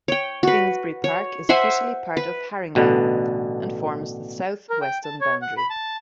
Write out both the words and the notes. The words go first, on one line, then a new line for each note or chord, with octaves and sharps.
Finsbury Park is officially part of Harringay and forms the south western boundary.
C#5 G5
F#4 B4
C#5
C5 E5 F#5 G#5
B4
A1 B2 D3 B4
A#4
G5
A5
C#5
F#5
B5
A5